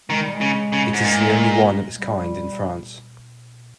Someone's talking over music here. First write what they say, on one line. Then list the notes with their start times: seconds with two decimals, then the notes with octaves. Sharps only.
It is the only one of its kind in France.
0.10 D#3 G#3
0.22 G3
0.33 G#3
0.41 C#3
0.73 C#3
0.93 G#2
1.04 A#2
1.98 G3